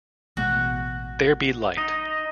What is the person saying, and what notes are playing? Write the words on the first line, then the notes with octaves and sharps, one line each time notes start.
There Be Light.
A1 B2 G#3 F#4
D#4 D#5